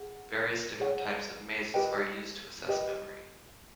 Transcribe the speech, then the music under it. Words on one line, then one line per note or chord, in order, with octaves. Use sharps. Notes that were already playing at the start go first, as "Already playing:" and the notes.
Various different types of mazes are used to assess memory.
Already playing: G#4 F#5
G#4 C#5 F#5
G4 B4 D#5 G5
G4 B4 D#5 G5